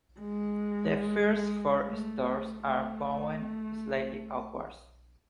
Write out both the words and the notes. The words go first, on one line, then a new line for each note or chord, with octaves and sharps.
The first four stories are bowed slightly outward.
G#3
A3
A3